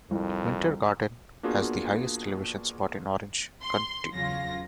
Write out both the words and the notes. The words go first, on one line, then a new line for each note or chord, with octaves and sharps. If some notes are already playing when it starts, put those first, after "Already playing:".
Winter Garden has the highest elevation spot in Orange County.
C2 F2
A#3 B3 D4 F4 F#4 G#4
C6
E2 C#3 F#3 F4 A#6